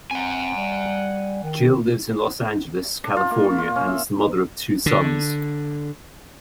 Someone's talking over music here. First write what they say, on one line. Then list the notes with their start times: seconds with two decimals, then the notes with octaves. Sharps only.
Gill lives in Los Angeles, California and is the mother of two sons.
0.11 C4 F#5 G#5
0.56 G3
1.43 D#3
3.04 D4
3.17 F4
3.31 A#3
3.44 C#6
3.58 F4
3.76 C#4
3.87 E5
4.86 D3